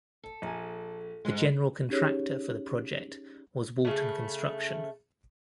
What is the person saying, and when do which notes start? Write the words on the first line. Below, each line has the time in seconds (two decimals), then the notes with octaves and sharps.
The general contractor for the project was Walton Construction.
0.23 A4
0.42 A#1 G#5
1.25 G#2 G3 G#3
1.89 C#4 D#4 G4 G#4 C#5
3.85 C#3 A3